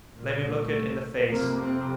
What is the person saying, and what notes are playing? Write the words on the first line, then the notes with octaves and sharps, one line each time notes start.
Let me look it in the face!
C2 A#2
A3
F2 C3 A#3
C4